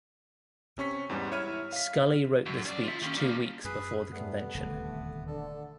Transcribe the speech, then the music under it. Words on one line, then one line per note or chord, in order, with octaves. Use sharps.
Scully wrote the speech two weeks before the convention.
C3 C#4 C#6 B6
E2 G#2 G3
E4 C#5 E5 B5 F6 D#7
F5 B6
F#2
C#4 D5
F4 E5
D#2 C#4
G3 A#3
F#2 G#4 B4
G3 A3 B3 B4
D#1 D2 C3 A3
D3 A4